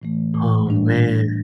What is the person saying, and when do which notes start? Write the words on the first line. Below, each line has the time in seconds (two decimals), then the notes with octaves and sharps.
Oh, man.
0.02 A2 E3 A3
0.34 A2 E3 A3
0.67 A2 G3 D4